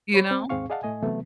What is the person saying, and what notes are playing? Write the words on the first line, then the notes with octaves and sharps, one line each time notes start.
You know?
C#5 B5 A6
C4
D#2 G#2 C4 G#4 F5 C#6
G#4 D5 D#5 F5 F#5 A5
A2 A3 D#5 G#5
C3 E3 F#3 A3 B3